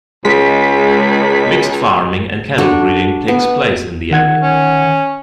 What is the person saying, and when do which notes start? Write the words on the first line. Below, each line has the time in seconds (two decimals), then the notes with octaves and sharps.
Mixed farming and cattle breeding takes place in the area.
0.25 C#2 G#3 B6
2.58 D4 F#4 A4
3.28 B3
4.11 D#3 F#5 G#6
4.43 C#4